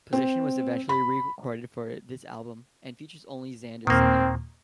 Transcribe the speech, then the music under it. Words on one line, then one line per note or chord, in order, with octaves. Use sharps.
"Position" was eventually re-recorded for this album, and features only Zander singing.
C4
B5
D#2 A#2 D#3 A#3 C4